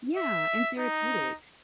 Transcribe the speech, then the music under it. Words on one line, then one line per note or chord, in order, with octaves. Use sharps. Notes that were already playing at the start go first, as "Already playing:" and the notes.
Yeah, and therapeutic.
E5
D#4